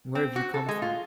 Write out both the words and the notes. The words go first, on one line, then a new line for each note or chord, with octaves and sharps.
Where have you come from?
C4
F#4
A4
G#3
F4